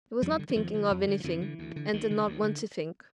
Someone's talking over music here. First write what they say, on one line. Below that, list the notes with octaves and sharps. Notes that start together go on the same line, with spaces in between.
He was not thinking of anything and did not want to think.
F2 F3 G3
D3
E3
F2 D#3 F3
D3
F2
D3
F3
F2 D3 E3
D3
D2
D3
D2 D#3
D3
D2
D3